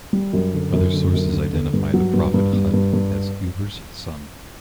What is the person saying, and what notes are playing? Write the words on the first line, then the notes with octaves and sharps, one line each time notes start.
Other sources identify the prophet Hud as Eber's son.
G3
F#2
D3
F#2
D3
F#2
D3
D3
G2
F#3
G2
G2
G2
G2
G2